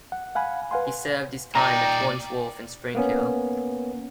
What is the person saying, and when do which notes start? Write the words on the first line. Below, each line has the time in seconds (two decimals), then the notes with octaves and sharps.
He served his time at Wandsworth and Spring Hill.
0.12 F#5
0.35 F5 F#5 G#5 B5
0.71 B4 F5 F#5 G#5 C6
1.55 A#2 D#4 D5 G5 A#5
2.95 A#3 B3 C#4